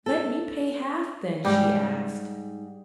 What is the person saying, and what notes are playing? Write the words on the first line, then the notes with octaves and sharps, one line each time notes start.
'Let me pay half, then,' she asked.
A4
G#2 G3 G4